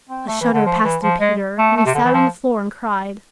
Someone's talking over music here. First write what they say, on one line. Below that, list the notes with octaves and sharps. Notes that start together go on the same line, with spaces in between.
A shudder passed through Peter, and he sat on the floor and cried.
C4
A3
E3
D3
F3
E3
F3
G#3
A3
A3
C3
D3
E3
F3